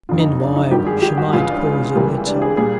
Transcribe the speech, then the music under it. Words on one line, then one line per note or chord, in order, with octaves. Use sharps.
Meanwhile she might pause a little.
F#1 F2 D3 F4
D#4
D4
D#4
G#1 G2 D#3 F#3 G4
G#4
G4
F#4
C#2 C#3 E3 F4
D4
C#2 C3 E3 G3 A#3
D4
G#4
A#2 G3 G#4